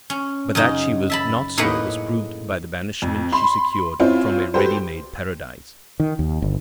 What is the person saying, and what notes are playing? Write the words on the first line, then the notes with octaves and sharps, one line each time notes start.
But that she was not so was proved by the banishment she secured from a ready-made Paradise.
C#4
F#2 C#3 D#4
E5 A5 B5
A2 A#3 D#4 G#4 B4 F#5
F2
B5 C6
C4 C#4 E4 F4
F#4 G4 A4 B4 C5
D#3
D#2
G1